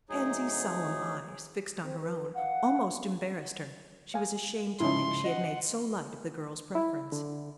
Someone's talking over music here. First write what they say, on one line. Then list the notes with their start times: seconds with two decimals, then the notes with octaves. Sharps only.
Pansy's solemn eyes, fixed on her own, almost embarrassed her; she was ashamed to think she had made so light of the girl's preference.
0.09 D2 F#3 D#4 G#4
1.82 C4
2.00 B4
2.35 F5 F#5
4.14 F5 G#5
4.80 G#2 C#3 F3 C#4 D#4 E4 C6
5.24 D#5 F#5
6.75 E4
7.12 D3